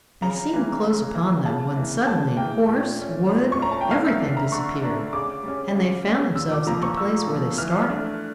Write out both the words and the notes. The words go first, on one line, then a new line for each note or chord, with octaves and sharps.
They seemed close upon them, when suddenly horse, wood, everything disappeared, and they found themselves at the place where they started.
C#3 A#5
E3 A#3
C#3
E3 A#3
C#3 A5
E3 A#3
C#3 A5
E3 A#3 G5
A#2
A3 C#4
A#2
C#6
A3 C#4 A#5
A5
G5
D3 F5
E5
A3 D4
A#5
D3 C#6
A3 D4
C#3 D6
G3 C#4
C#3
G3 C#4
A#2 E6
D6
F3 A#3 A#5
C#6
A#2 E6
F3 A#3
E3 F6
A3 D4